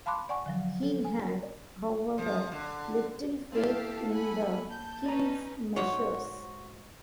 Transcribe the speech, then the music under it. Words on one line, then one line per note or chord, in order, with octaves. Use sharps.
He had, however, little faith in the king's measures.
F5 A5 B5 C6 D6 F#6
D5 F#5 G#5 C#6
D3 F3 F#3
A4
G#5
A#4
F3
D3
A#3 C4 E4 G4 A4 F5 A5
F#5 G#5 B5
A5 G6
C#4 D#4 B4 D5 A#5
G#2 F#4 C#5